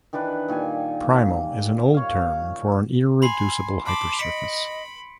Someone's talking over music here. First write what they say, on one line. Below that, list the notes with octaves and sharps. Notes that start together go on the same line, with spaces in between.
"Primal" is an old term for an irreducible hypersurface.
D#3 E3 D4 B4
A#2 D#3 G3 G#5
A#3
C#5 F5
G#5 B5 C6 C7
A5 B5 C6 D6
D#5 B6 C#7 D7